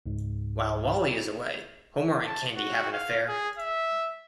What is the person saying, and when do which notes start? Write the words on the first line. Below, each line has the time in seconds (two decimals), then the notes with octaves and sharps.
While Wally is away, Homer and Candy have an affair.
0.06 C#2 G#2
2.26 A5
2.57 F#4
2.92 F5
3.29 G#4
3.59 E5